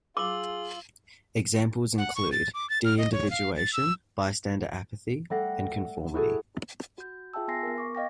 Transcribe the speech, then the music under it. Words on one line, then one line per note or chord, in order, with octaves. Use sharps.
Examples include: deindividuation, bystander apathy, and conformity.
F4 G#4 D6 E6 F#7
F#5
C#6
A6
D6
A6
F6
D#5
C#5
F5
A6
E6
G3 A3 A4 F#5 A#6 C7
E4 F#4 G#4 A4
F#4 G6
F4 G#4 E5 G5 A5 E6
B3 G#5 C6 A#6 C7
B3 A#4
C#6 D6
D#5 F5 G5 A#6